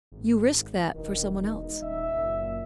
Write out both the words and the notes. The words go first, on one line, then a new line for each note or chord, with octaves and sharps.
"You risk that for some one else."
G#1
E1 D#3
D#4
D#1 E5
F#1 A#2